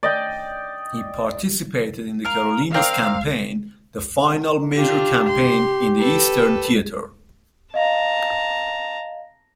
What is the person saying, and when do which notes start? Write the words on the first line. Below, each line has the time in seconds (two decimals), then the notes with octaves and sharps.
He participated in the Carolinas Campaign, the final major campaign in the Eastern Theater.
0.03 D5 D#5 G5
2.24 A#4 F5
2.74 C4 A#4 D5 F5
4.76 D4 F4 G4
5.28 C6
5.99 A4 B4
7.74 D#5 F5 A5 A#5